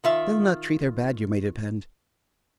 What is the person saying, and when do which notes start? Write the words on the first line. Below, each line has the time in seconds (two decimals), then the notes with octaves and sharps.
They'll not treat her bad, yer may depend.
0.04 D#3 F4 E5